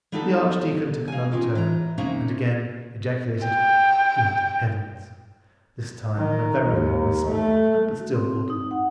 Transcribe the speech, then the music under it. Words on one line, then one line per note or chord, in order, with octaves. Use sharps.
The archdeacon took another turn, and again ejaculated, "Good heavens!" this time in a very low whisper, but still audible.
G3 B3 D#4 G4 A4
A#3 G#5
C#4 F4 G4 G#4 A#4
E3 A#5
C3 A#3 C#4 D#4 A#5
G5
D#3
D#2
A3
F#4
C4
D#4
F#5